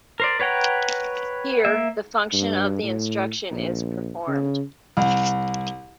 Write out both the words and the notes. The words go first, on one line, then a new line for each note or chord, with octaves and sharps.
Here, the function of the instruction is performed.
A#4 C5 D5
B4 C#5 F#5 G5 A#5
A#3 E5
G2
A2
A#1
C#3
C2